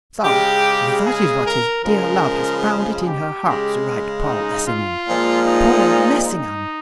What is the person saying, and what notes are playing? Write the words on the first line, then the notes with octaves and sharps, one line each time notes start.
'So!--That is what his dear love has found it in her heart to write Paul Lessingham!--Paul Lessingham!'
C#3 G#3 G4
G#4
A#4
C#3 F3 G#3 A#4
G#4
G4
C#3 G#3
D#4
F4
A#2 F3 G#3
D#4
D#4